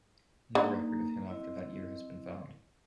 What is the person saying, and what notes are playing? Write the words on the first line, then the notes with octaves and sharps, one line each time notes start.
No record of him after that year has been found.
D3 A#3 D#4 A#5
C4 E4 D#5